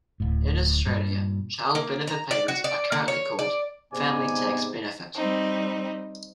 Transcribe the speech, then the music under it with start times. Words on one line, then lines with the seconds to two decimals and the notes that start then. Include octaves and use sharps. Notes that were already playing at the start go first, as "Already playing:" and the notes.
In Australia, Child benefit payments are currently called Family Tax Benefit.
0.20 D1 A2
0.87 G2 A#2
1.75 A#3
2.07 A#5
2.31 D5
2.48 F#4
2.64 D5
2.92 A#3
3.08 C#5
3.39 D5
3.93 G#2 C3 B3 D5 G#5
5.15 G3 C4 D#4